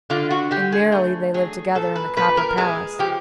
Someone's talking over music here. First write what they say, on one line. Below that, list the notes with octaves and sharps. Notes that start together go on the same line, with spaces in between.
And merrily they lived together in the copper palace.
D3 F4
F#4
D3 G4
G#4
A3
F#3 G#4
A#2 A4
B4
A#2 B4
A#4
G#3 G#4
F3 G4